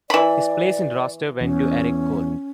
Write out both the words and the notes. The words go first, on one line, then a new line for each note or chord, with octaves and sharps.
His place in roster went to Erik Cole.
E3 D5 B5
E2 C#4